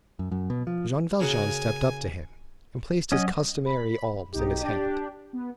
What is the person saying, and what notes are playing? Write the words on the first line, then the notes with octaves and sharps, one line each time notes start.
Jean Valjean stepped up to him and placed his customary alms in his hand.
F#2
F#2
B2
F3
C#3 A#3 F#4 G#5
F#3 C#4 D#5
B5
B1 D#4 G4
D4 G4
B3